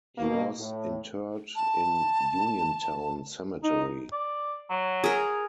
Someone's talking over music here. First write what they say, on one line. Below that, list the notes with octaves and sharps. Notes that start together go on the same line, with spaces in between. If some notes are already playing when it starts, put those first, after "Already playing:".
He was interred in Uniontown Cemetery.
B2 A#3
A2
A5
D#4
D5
F#3
G#4 A#4